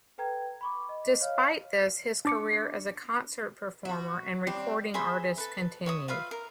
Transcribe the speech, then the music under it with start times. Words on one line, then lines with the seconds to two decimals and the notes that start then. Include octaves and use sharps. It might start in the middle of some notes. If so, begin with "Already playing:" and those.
Despite this, his career as a concert performer and recording artist continued.
0.18 A4 B4 G5 A#5 G#6
0.61 B5 C#6 D6
0.89 D#5
1.21 C#5 D#5 F5 F6
2.25 D4 D6 C#7
3.85 F#4 E5 B5
4.47 G3 C4 D4
4.94 G#4 C5 E5 B5
5.38 A4 B4
5.86 C#5 E5 D#6
6.08 F4 B4 E5 F5
6.31 A#4